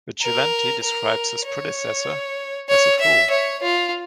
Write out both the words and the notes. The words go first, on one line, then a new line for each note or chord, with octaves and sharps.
Vigilante describes his predecessor as a fool.
A#4
A#4
C#5
C#5
E5
C#5
F4